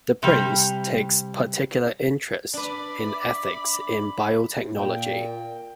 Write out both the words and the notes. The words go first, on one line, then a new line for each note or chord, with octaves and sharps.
The prince takes particular interest in ethics in biotechnology.
C3 G3
D4 B4 D5 E5 B5 D6
A#2 G5